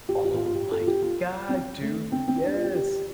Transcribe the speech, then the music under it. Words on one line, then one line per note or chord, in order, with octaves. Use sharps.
Oh, my god, dude, yes!
G4
G4
F4
F4
G4
A4
F4
G4
F4
C4
A3
C4
C4
D4
F4
G4
G4